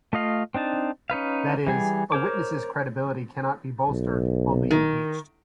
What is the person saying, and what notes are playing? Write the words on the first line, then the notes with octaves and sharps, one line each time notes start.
That is, a witness's credibility cannot be bolstered, only impeached.
A3 F4 D#5 F5
C4 D4 D#4 A5
C#4 D#4 B4 F5
E3 G3 G#4
A#4 C5 C#5 D6
B1
D#3